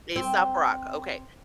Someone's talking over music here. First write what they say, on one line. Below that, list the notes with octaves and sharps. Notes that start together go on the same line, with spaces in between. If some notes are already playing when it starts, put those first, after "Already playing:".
Aesop Rock, okay.
C4